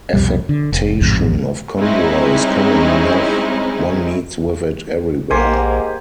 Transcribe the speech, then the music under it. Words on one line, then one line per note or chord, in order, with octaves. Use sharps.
Affectation of candour is common enough — one meets with it everywhere.
C2 F2 B2 G3
D3
F1
A1 F2 G#2 C3
G3 G#3 C4 C#4 D#4 E4
A#1 G#2 A#3 G4 C5 G#5